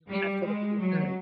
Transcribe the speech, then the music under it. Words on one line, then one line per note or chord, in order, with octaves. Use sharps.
you have to look at your phone?
G3
G#3
F#3